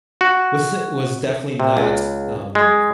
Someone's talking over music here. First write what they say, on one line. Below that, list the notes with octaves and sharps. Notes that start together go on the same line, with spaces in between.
was was definitely not, um,
F#4
C3
C#2
G#3